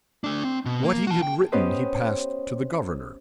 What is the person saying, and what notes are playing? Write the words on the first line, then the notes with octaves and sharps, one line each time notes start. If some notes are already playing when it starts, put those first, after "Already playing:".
What he had written he passed to the governor.
A3 D4
C4
B2
A#3
F#4 A5
G5
B3 C#4 G4 B4 C5 D#5